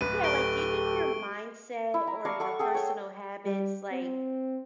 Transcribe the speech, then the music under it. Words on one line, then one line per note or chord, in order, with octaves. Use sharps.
yeah, like do you think your mindset or your personal habits, like,
D1 B4 D#7
G4 A4 C#6 D7 G7
E4
A#5
D5 F5 A5 C#6
A4 F#5 C#6
G#4 A4 F#5 G5
C#5 G5
G3
C4